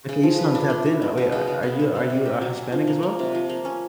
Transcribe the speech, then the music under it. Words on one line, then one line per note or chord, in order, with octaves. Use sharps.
Like, you sound tapped in that way, a are you are you a Hispanic, as well?
C#3
F3
B4
D4
A3
E4
B3
B2
C#3
C#3
B3
B3
C3
C3
G4
F#3
C#4
F3
A#3
A#3
C3
F3
A#3
C#4